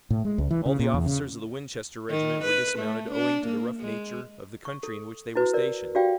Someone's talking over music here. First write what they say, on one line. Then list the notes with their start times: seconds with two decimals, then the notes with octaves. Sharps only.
All the officers of the Winchester regiment were dismounted owing to the rough nature of the country in which they were stationed.
0.10 A2
0.25 G#3
0.38 C#2
0.51 E3
0.66 C#3
0.79 A#2
0.94 E2
1.06 C#3
2.10 D#3
2.45 B4
2.79 A3
3.12 D4
3.46 A#3
3.80 G#3
4.65 C#6
4.83 A4
5.35 E4 F#4 B4
5.54 A#4 D5
5.95 F#4 G4 D5 F5 G5